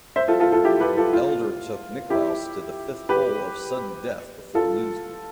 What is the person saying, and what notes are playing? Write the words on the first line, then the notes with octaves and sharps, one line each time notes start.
Elder took Nicklaus to the fifth hole of sudden death before losing.
C5 E5
F4 A4
F4 A4
F4 A4
E4 G4
G4 B4
F4 A4
F4
E4 G4
G4 B4
F4 A4